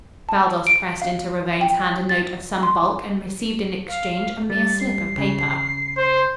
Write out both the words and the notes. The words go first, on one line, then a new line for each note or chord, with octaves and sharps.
Baldos pressed into Ravone's hand a note of some bulk and received in exchange a mere slip of paper.
A5
D7
F5
G5
A6
C6
F5
G3 A6
C7
C#3
C5